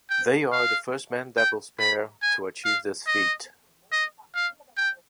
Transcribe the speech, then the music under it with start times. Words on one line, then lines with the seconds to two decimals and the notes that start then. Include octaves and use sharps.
They are the first Men's Doubles pair to achieve this feat.
0.10 G5
0.52 F5
1.37 G5
1.79 B5
2.22 G#5
2.65 F5
3.07 D#5
3.92 D#5
4.35 F5
4.77 G5